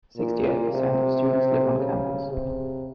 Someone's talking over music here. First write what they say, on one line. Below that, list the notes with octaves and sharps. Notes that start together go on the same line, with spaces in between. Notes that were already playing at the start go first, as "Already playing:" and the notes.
Sixty-eight percent of students live on campus.
A#2
C3
C#3
C3